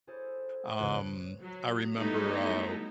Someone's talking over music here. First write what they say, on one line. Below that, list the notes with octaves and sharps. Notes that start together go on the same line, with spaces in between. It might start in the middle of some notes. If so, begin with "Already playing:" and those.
Um, I remember, uh,
E4 G#4 A4 C5
A1 E2 C#3 G#3 F4 F#6
F#3
F#3 G3 A3 B3 D#4 E4